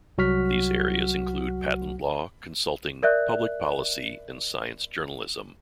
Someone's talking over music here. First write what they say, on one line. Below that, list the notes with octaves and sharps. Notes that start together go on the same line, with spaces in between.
These areas include patent law, consulting, public policy, and science journalism.
C2 F#3 F#4 F#5 F6 B6
A#4 D5 E5 F#6